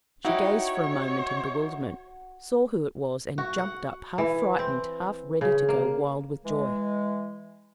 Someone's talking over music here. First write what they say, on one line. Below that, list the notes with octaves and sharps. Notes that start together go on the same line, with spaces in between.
She gazed for a moment in bewilderment, saw who it was, and jumped up half frightened, half ready to go wild with joy.
D#4 E4 F#4 C#5 F#5 G5
F#4
F#5
E3
C4
C#3
A#3
E3 G#3